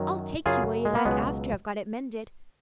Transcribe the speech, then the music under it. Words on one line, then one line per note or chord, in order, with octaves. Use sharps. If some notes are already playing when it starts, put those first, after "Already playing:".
I'll take you where you like after I've got it mended.
Already playing: F#2 D#3 F#3
F#2 C#3 F#3 F4 G#4
G#3
A#3
C#2 B2 F#3 G#3 B3